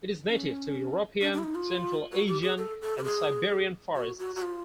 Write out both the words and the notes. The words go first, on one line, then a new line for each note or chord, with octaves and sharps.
It is native to European, Central Asian, and Siberian forests.
C#4
D4
D4
E4
D#4
F4
F#4
G4
G#4
A4
A4
G4
G#4
F#4
F#4
F#4
F4